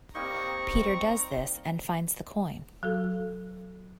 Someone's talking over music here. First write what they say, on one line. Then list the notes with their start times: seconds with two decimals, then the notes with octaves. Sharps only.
Peter does this and finds the coin.
0.15 G3 A#3 C4 D#4 A#5 C#6
2.83 F#3 F#4 A4